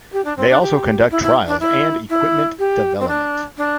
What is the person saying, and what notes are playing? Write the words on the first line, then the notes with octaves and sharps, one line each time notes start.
They also conduct trials and equipment development.
G4
D4
C4
D4
G4
E4
E4
D4
E4
E4
G4
C4
D4
D4